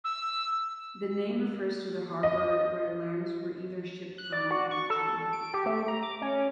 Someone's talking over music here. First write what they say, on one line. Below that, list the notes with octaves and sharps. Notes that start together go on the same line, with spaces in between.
The name refers to a harbour where lambs were either shipped from or to.
E6
D#5
F#6
D5
F#4
C#6
A4
D7
G4
A3
A#5
D6
C#4